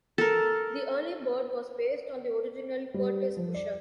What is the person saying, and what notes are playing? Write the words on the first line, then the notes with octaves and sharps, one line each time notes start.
The Early Bird was based on the original Curtiss Pusher.
A4 A#4
G3
F3
D5